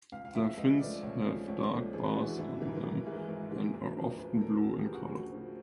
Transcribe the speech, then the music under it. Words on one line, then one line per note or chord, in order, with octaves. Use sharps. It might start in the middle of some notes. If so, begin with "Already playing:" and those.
Their fins have dark bars on them and are often blue in colour.
C#2 F5
F5
C#3 F3 A3 E5
C#2 D#5
C#3 F3 A3 D5
C#2 C#5
C#3 F3 A3
C#2 C#5
C#3 F3 A3
G#1 G#4
F#4
G#2 E3 G#3 E4
D4
G#1 E4
G#2 E3 G#3 A#4
B4
A#4
G#1
G#2 E3 G#3
G#1
G#2 E3 G#3
D2 A#4
C#3 F3
A#4
D2 B4
A4
C#3 F3 A#4
D2 G#4
G4
C#3 F3
F#4
D2
C#3 F3